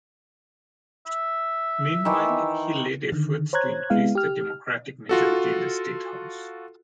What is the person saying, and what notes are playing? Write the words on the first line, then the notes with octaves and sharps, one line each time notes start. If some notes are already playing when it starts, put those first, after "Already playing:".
Meanwhile, he led efforts to increase the Democratic majority in the State House.
E5
D#3 E3
D3 D#3
C5 C#5 A#5 F#6 G#6
G#3 B3 E4 F5
G4 F6
F4 F#4 A4